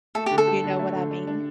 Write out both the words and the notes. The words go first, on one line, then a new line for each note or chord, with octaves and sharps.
You know what I mean?
A3 A4
D3 G4
A4
G4
D3
A3
D3
D4
D4